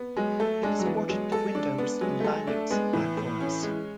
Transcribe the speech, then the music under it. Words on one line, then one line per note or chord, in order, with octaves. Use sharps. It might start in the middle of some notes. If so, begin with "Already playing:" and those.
It is ported to Windows and Linux platforms.
Already playing: B3
F#3 G#3
A3 A4
G#3 D4
F#3
E3 B3
F#3 G#3
A4
D4
B3
F#3 G#3
A3
G#3 A4
A3 D4
G#3 B3
A2 E3
A2
C#4
G#3